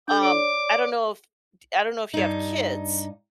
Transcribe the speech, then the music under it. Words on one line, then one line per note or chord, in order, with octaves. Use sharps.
um, I don't know if d I don't know if you have kids
D4 A4 G6
C#5 D5 D6
G2 D#4